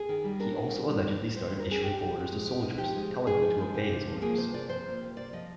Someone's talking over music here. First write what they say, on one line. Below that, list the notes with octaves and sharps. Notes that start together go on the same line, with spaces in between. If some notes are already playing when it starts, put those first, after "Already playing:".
He also allegedly started issuing orders to soldiers, telling them to obey his orders.
Already playing: G#4
D#3
G3
D4 A#4
D#3
D#3
G3
D4
D#3
D#3 C5
C5
G3
A#4
D4 G#4
C3 G4
D#4
F3
G#3
C3
D#4
F3 G4
G#3
C3
D#4 G#4
F3
G#3
C3
F4
F3
A#3 G#4
C3 C5
F4 D5
F3 C5
A#3
C3
F4 D5
F3 D#5